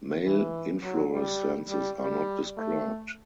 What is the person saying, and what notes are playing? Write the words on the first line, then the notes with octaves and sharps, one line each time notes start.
Male inflorescences are not described.
E3
F#3
G3
G3
G3
A3